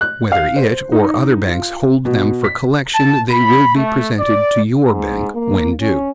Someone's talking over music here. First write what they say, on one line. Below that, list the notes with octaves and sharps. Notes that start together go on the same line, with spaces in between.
Whether it or other banks hold them for collection, they will be presented to your bank when due.
F#6
F5
C5
D#4
F4
B2
B6
A5
B5
A3
D5
G#2
A#3
C#4